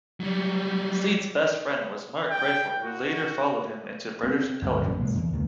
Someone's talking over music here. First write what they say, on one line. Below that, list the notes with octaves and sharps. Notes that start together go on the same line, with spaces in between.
Steed's best friend was Mark Crayford who later followed him into British Intelligence.
F#3 G3
G5
F#4
B3 C4
D2 G2 A#2 D#3
A#1 F#2 A2
C2 A#2 C#3 G#3
E2
C#2 A#2 D#3